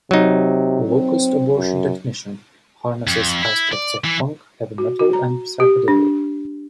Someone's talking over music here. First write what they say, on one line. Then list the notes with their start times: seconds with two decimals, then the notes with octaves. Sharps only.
"Locust Abortion Technician" harnesses aspects of punk, heavy metal, and psychedelia.
0.11 C3 F#3 D#4
0.88 C4
1.56 F#2
3.07 F2
3.43 E4
3.72 D5
4.05 E3
4.78 F#4
4.99 F#4
5.13 A#5
5.60 G4
5.88 D4